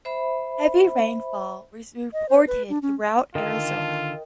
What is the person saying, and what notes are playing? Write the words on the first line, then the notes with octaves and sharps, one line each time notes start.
Heavy rainfall was reported throughout Arizona.
C5 E5 B5
D#5
C5
B4
D4
C#4
D3 D#3 F4 A4 A#4 D#5 G5